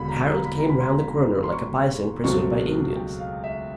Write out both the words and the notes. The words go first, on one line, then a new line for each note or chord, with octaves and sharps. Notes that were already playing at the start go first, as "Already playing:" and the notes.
Harold came round the corner like a bison pursued by Indians.
Already playing: E1 D#2 D3 B5
A#5
B5
A#5
B5
C6
C6
C#6
C#2 B2 F#3 A3 C4 C#6
G5
F5
E5